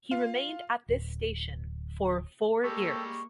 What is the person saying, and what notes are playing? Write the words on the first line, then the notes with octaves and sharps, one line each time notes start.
He remained at this station for four years.
F4
D1
G3 G#3 A#3 G4 A4 C#6